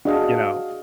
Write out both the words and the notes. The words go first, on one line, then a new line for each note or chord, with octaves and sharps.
you know?
D4 F#4 G#4 D#5 F5